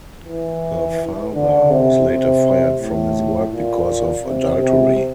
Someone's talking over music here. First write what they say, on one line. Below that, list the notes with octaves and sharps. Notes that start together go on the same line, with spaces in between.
Her father was later fired from his work because of adultery.
E3
D3
C3
C3
A2
A#2
C3
C3